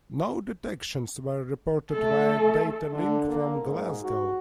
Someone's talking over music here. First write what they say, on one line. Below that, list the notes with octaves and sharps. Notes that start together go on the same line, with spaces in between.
No detections were reported via data link from "Glasgow".
A3 A4
D3
A#3
G#2
F#4